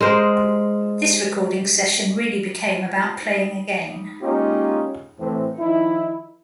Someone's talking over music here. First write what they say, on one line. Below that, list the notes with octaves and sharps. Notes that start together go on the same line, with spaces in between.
This recording session really became about playing again.
G#3 A#4 C5
G#3 A#3 C#4 D#4 F4 G4
A2 E3 C4
D#3 F3 D#4 E4